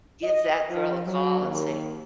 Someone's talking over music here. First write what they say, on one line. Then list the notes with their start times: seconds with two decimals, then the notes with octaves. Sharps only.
give that girl a call and say,
0.24 D#5
0.70 F3
1.05 F#3
1.40 D#2